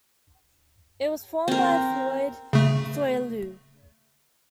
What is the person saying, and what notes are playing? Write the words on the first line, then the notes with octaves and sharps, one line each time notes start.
It was formed by Floyd Soileau.
C4 A#4
C#3 A3